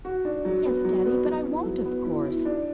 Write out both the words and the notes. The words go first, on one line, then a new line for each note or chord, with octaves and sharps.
"Yes, daddy; but I won't, of course."
F#4
D4
F#3
B3
F#3
B3
F#3
E4
F#3
B3
E4
E4
D4